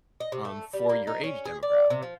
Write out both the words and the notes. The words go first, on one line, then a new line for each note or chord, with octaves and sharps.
um, for your age demographic.
D#5
C3
A3
G3
A#3
D#4
C#4
G#4
D5
C3
F3